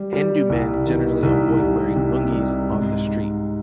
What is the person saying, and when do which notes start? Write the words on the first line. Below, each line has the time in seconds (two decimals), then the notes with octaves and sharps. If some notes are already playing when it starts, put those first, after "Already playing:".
Hindu men generally avoid wearing lungis on the street.
Already playing: G3
0.13 G3
0.50 C2
0.85 D#3
1.23 C2
1.59 C2
1.96 C3
2.32 G3
2.70 G#2
3.06 G#2